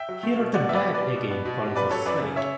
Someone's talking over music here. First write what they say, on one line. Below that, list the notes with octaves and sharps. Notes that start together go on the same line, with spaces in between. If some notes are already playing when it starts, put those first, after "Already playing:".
He wrote the "Dad Again" column for "Slate".
Already playing: E5 G5
F#3
A3
B2
B2 D5 F#5
B3 E5
B4 D5
B2
B4 D5
G3
B2
B3
B2
G3
F#2 B4 D5
F#3 A4 C#5
F#2 B4 D5
C#3
C#5 E5